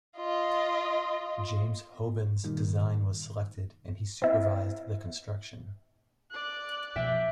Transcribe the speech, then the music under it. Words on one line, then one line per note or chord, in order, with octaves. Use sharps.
James Hoban's design was selected, and he supervised the construction.
F4 D#5
G2 A#2 D#3 G3
C4 E4
D5 F#6
B2 F3 E5 G5